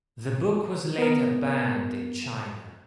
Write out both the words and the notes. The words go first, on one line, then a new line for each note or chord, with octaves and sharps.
The book was later banned in China.
B3 A#4